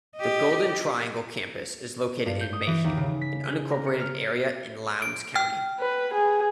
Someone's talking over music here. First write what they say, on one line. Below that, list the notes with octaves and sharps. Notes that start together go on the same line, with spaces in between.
The Golden Triangle Campus is located in Mayhew, an unincorporated area in Lowndes County.
G4 D#5
G2
G6
D#6
E3
D#2
C#3
B6
G#4
A#4
C#7
F6
D7
G5 F6
B4
G#4